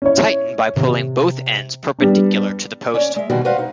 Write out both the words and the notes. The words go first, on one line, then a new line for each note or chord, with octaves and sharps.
Tighten by pulling both ends perpendicular to the post.
C#4 E4 C#5
C3
G3 B3 D4
C#4 C#5 D5
G#3 E5
B2 D#3 G3 G#3 F#4
F#4 B4 C5 D5 F5 F#5
D#4